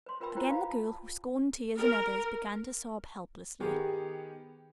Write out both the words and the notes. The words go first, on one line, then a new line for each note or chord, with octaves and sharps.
Again the girl, who scorned tears in others, began to sob helplessly.
B4 C6
F4 A#4 B4 G5 B5 E6
E4 F4 C5 G5 A#5 B5
F5 A#5 B5
A5
A#4
D#3 B3 G4 G#4